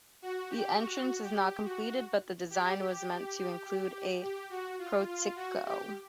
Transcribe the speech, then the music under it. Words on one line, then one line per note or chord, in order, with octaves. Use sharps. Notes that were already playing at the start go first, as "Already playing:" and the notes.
The entrance is not completed, but the design was meant to include a portico.
F#4
G4
F#4
G4
F#4
G4
G4
F#4
F4
F4
F#4
G4